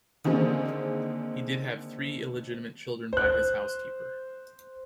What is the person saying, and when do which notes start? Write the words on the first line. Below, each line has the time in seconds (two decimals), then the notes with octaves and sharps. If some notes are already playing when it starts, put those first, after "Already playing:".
He did have three illegitimate children by his housekeeper.
0.24 D3 D#3 A#3 C4 G#4
3.13 C5 F#6